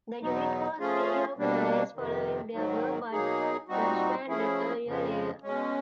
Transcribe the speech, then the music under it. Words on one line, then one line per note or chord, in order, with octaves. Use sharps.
The unit was reorganized following the war, but disbanded a year later.
E2 B2 F#3 B3 D#4
F3 A3 C#4 F4 G#4
B2 G3 A#3 D4
F2 C3 D#3
G#2 D#3 F#3
B2 F#3 A#3 D#4 G#4
A#2 G3 C4 D#4 F#4
F3 A3 C#4 E4 G#4
F2 C#3 F3 G#3
B2 G#3 C#4